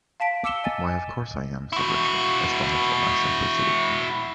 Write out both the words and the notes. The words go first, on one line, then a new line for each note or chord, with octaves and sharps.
"Why, of course I am," said Richard, astonished at my simplicity.
F5 A5 B6 D7
D6 E6 C#7 E7 G7
D#5 G#5 A6
E4 F#4